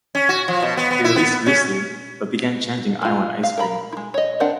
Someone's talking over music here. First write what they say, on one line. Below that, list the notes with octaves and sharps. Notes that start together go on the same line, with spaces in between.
He released Greasley, but began chanting "I want ice cream".
C#4
F#4
F3
B2
B3
B3
E4
B3
C#4
G#3 F4
F5
A#4 F5 A#5 B5
G#3 E4
C#5 D#5
C4 D4 A#4 D5 F#5